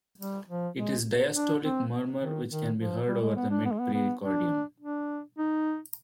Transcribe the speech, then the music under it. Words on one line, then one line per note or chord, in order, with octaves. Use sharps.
It is a diastolic murmur which can be heard over the mid-precordium.
G3
F3
G#3
D4
C4
D#3
D#3
F3
G3
G#3
B3
D4
B3
G#3
B3
B3
D4
D4
D#4